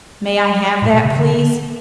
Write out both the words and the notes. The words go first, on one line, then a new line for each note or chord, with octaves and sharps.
"May I have that please?"
A2
B2
C#3
D3